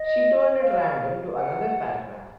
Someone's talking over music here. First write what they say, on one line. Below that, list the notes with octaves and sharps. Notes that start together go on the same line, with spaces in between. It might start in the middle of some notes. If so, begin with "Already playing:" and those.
She turned at random to another paragraph.
Already playing: D#5
F5
F#5